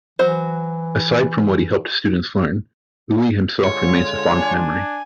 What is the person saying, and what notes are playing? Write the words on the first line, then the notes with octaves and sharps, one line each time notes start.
Aside from what he helped students learn, Uli himself remains a fond memory.
E3 F#3 F#4 C5
D3 G#3 F4 C#5
D4 G#5